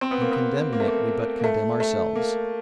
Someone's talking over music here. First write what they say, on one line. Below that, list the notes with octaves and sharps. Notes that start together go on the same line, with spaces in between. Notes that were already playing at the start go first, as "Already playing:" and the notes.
In condemning it we but condemn ourselves.
C4
B3
A#3
B3
A#3
A3
A#3
A#3
A3
A3
A#3